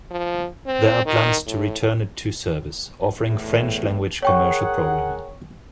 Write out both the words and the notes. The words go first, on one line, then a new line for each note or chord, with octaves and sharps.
There are plans to return it to service, offering French-language commercial programming.
F3
C4
D#3
A2
E2 A2
G#4 A#4 C#5 F#5 G5 C#6